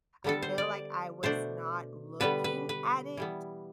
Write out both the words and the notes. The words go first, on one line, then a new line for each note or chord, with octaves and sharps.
I feel like I was not looking at it
D3 G3 B3 D4 A4
C5
D5
B2 A3 D4 C5
D3 G3 B3 D4 B4
B4
B4
E3 G3 B3